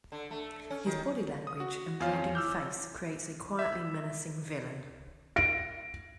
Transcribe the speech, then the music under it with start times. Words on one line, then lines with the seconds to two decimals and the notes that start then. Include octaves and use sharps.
His body language and brooding face creates a quietly menacing villain.
0.12 D3
0.31 A3
0.70 C#4
0.86 D#3
1.47 D#6
1.60 F#4
2.00 E2 F4 C#5 F5 G#5
2.13 F2
2.35 E4 D6 E6 F6 G6
3.59 E5
5.36 A#6 D7